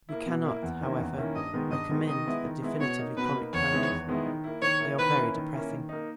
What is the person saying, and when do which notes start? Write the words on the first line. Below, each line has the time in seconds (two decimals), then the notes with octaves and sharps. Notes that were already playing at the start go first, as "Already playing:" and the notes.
We cannot, however, recommend the definitely comic poems. They are very depressing.
0.09 A#3 E4
0.26 B2
0.45 A#3 E4
0.63 E2
0.81 D#3 A#3 C#4 E4
0.99 E2
1.17 D#3 A#3 C#4 E4
1.35 G2 D#5
1.53 D#3 G#3 B3
1.71 G2 D#5
1.90 D#3 G#3 B3
2.07 D#3 D#5
2.26 G#3 B3 E4
2.44 D#3
2.62 G#3 B3 E4
2.80 B2 C#5
2.98 A#3 D#4
3.17 B2 B4
3.35 A#3 D#4
3.52 E2 C#5
3.71 D#3 G#3 B3 E4
3.89 E2
4.07 D#3 G#3 B3 E4
4.26 D#3
4.44 A#3 E4
4.62 D#3 C#5
4.80 A#3 E4
4.98 D#3 B4
5.16 A#3 C#4 E4
5.35 D#3
5.53 A#3 C#4 E4
5.71 D#3
5.89 A#3 D#4